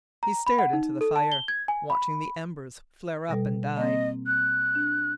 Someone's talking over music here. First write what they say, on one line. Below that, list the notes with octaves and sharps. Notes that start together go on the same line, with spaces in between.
He stared into the fire, watching the embers flare up and die.
A#5
B5
F#5
D#4
A4
A5
G7
G#6
G#5
B5
B2 G3 A4
A#3 C4 D#5
F#6
D4